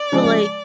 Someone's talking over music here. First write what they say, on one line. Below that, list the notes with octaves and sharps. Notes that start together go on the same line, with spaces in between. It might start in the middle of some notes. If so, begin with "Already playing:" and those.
to, like
Already playing: D5
C#3 F3 G#3